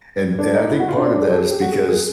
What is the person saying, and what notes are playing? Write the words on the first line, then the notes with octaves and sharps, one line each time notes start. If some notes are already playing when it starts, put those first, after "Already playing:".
and and I think part of that is because
D4
D#4
E4
F#4
F4
D4
C#4
D4
G#4
A4
G#4
G4
F#4
G#4
G#4